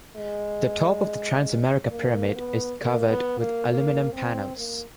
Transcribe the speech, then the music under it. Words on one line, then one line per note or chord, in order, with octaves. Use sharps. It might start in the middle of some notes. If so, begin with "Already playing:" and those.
The top of the Transamerica Pyramid is covered with aluminum panels.
G#3
A#3
B3
A#3
B3
A#3
A#3
C4
A#3